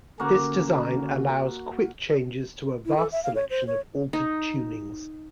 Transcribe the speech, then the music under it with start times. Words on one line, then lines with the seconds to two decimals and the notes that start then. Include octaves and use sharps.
This design allows quick changes to a vast selection of altered tunings.
0.20 D3 A#3 C#4 F#4
2.85 E4
2.97 A4
3.12 E5
3.23 F5
3.35 C#5
3.50 C5
3.67 C#5
4.13 D#4